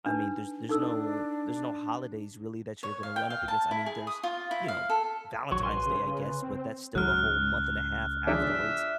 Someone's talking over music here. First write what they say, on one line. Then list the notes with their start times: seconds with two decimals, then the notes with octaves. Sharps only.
I mean, there's there's no there's no holidays really that you're gonna run up against, I mean, there's, you know, Valentine's Day, I guess, but that's still a whole month and a half afterwards,
0.06 D4 D#4 B4
0.69 D4 D#4 A4 E6
2.83 C#5
3.03 F5
3.16 G5
3.30 F5
3.48 A5
3.71 E4
3.86 G#4
4.07 D#6
4.23 F4
4.51 E4
4.68 F5
4.90 A4
5.52 A#1 F#3 C#6
5.63 B4 G#5 C6
5.86 C#3
6.42 C4
6.95 C#2 F#3 F6 F#6
8.27 F3 G#3 D4 E5